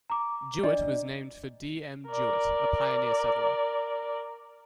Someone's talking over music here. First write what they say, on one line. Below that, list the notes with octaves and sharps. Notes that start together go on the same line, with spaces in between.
Jewett was named for D. M. Jewett, a pioneer settler.
A#5 D6
D4 D5 D#5
A#4 D5